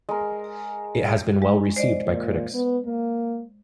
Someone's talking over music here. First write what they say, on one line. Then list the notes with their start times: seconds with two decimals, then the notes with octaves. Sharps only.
It has been well received by critics.
0.09 G#3 A#4
1.42 G#3
1.76 C5 D5 D#5
2.06 A#2
2.54 B3
2.86 A#3